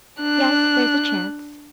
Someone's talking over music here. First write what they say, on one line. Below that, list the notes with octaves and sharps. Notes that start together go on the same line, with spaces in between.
"Yes, there's a chance."
D4 F#6